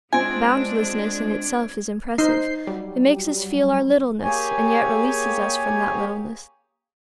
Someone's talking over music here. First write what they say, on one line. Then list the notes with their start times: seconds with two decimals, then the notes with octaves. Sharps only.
Boundlessness in itself is impressive; it makes us feel our littleness, and yet releases us from that littleness.
0.13 G#3 C4 D4 F4 G#5 G#6 D7
2.18 D#4 C5 G6 C7
2.67 F#3 G3
4.22 A#3 G4 G#4 C#5 G#5